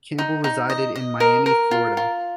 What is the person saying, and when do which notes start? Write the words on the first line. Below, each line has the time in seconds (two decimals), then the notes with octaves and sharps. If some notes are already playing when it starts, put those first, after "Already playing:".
Campbell resided in Miami, Florida.
0.19 D#4
0.44 D#4
0.70 D#5
0.95 D#5
1.20 A#4
1.46 A#4
1.71 F4
1.97 F4